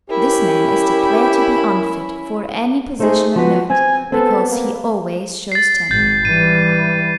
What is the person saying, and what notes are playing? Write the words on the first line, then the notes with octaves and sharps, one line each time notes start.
This man is declared to be unfit for any position of note, because he always shows temper.
C#4 E4 G4 A#4
A3 D#4 G#4 C5
F3 B3 F#4 B4
C4 G#5
B3 C4 A4
A#3
A6 C7
G#1 G#2 G6 A6
E3 G3 D#7